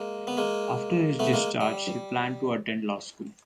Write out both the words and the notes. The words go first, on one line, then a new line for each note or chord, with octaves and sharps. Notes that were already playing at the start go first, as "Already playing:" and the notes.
After his discharge he planned to attend law school.
Already playing: G#3 A#3
B3
G#3 A#3
A3 B3
G#3 A#3
G3